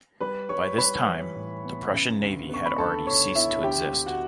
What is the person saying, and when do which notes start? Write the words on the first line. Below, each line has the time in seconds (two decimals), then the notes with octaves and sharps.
By this time, the Prussian Navy had already ceased to exist.
0.20 G3 B4 B5
0.49 G3 C#5 C#6
0.78 G3 B4 B5
1.06 E3
1.36 A2
1.64 B3
1.92 C#3
2.21 D2
2.50 B3 C#6
2.66 B5
2.78 D2 A4 A5
3.07 D2 C#5 C#6
3.35 B3 E4 E5
3.63 D2 G4 G5
3.92 D2
4.06 F#4 F#5